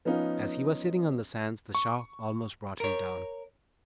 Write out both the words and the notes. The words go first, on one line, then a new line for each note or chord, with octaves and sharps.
As he was sitting on the sands the shock almost brought him down.
F3 B3 C#4 D#4 F5
C#6
A#4 C#5